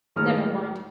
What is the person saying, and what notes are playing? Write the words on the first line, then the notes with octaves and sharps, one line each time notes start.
Never mind.
A2 D#3 G#3 D#6 F6